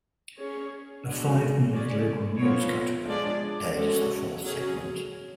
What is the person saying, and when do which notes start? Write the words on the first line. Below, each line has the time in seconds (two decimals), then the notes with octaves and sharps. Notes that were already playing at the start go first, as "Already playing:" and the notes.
A five-minute local news cutaway aired as the fourth segment.
0.38 C#4 G#4 C#5
1.05 G#3 B3 D4 F#4
1.72 G#3 C#4 G#4 D5
2.39 F3 B3 F4 A4 C#5
3.06 F3 G#3 D4 G#4 D5
3.74 G#3 C#4 F#4 A4
4.41 F#3 C#4 G#4